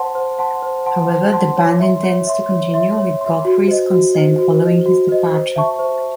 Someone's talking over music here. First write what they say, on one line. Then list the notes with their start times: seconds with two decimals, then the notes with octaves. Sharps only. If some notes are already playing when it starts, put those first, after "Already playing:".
However, the band intends to continue, with Godfrey's consent, following his departure.
Already playing: C5 F#5 A5 C6
0.15 C5
0.39 F#5 A5 C6
0.63 C5
0.86 F#5 A5 C6
1.09 C5
1.33 F#5 A5 C6
1.57 C#5
1.80 E5 C6
2.03 C#5
2.27 E5 C6
2.51 C#5
2.74 E5 C6
2.97 C#5
3.21 E5 C6
3.45 F#4
3.68 C5 D#5
3.91 F#4
4.15 C5 D#5
4.39 F#4
4.62 C5 D#5
4.86 F#4
5.09 C5 D#5
5.32 C5
5.56 E5 A5 C#6
5.79 C5